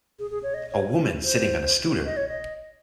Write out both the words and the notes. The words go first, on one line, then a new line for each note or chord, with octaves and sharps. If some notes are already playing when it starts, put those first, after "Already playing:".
A woman sitting on a scooter.
G#4
G#4
C#5
D#5
C#5
C5
D#5
C#5
D#5